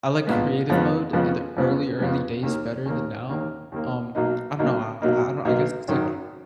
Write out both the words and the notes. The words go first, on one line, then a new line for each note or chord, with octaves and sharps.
I like Creative mode in the early, early days better than now. Um, I don't know, I I don't I guess it's, like
A#1 A#2 G#3 B3
F2 C#3 F3 G#3 B3
F2 C#3 F3 G#3 B3
F2 C#3 F3 G#3 B3
F2 C#3 F3 G#3 B3
D#2 D#3 A#3
D#2 D#3 A#3
D#2 D#3 A#3
D#2 D#3 A#3
B1 B2 F#3 A#3 D#4
B1 B2 F#3 A#3 D#4
B1 B2 F#3 A#3 D#4
B1 B2 F#3 A#3 D#4
G#1 F#2 D#3